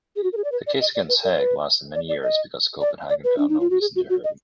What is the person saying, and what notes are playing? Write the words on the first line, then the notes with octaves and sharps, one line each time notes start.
The case against Hauge lasted many years because Copenhagen found no reason to hurry.
G#4
F#4
A#4
G#4
D5
B4
D5
D#5
D5
B4
A#4
B4
D5
D5
D#5
D5
D5
B4
D4
D#4
F4
F#4
G#4
F#4
F#4
D#5